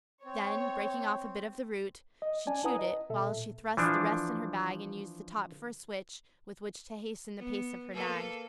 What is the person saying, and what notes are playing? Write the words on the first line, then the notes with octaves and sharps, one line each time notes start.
Then, breaking off a bit of the root, she chewed it, while she thrust the rest in her bag and used the top for a switch with which to hasten the pace of her nag.
C4 C#5
D#5
C#4 D5 G#5 A5
E4 B4 F#5 G#5 A#5 D#6
D#5
B2 A4 E5
A#2
E3 F3 D4
B3
A#3 A4 B4